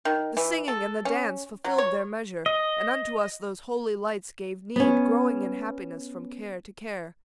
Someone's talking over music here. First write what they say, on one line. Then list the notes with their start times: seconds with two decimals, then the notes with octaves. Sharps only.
The singing and the dance fulfilled their measure, And unto us those holy lights gave need, Growing in happiness from care to care.
0.05 D#3
0.37 E3
0.68 A4
1.05 C#4
1.64 F#3
1.78 C#5
2.46 D#5
4.76 B3 C#4